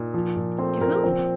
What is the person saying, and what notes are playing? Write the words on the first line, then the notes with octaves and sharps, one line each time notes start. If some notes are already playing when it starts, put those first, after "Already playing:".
"To whom?"
Already playing: A#2 D#4
F3
A#2
A3 C4 C5
A#2 A#3 A#4
F3 C4 C5